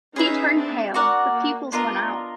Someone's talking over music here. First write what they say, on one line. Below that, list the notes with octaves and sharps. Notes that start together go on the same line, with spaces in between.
He turned pale, the pupils went out.
C#4 D#4 G#4 B4 E5
C4 D4
F#4 A#4 D5 F#5
A#3
B3 D4 F4 A#4 D#5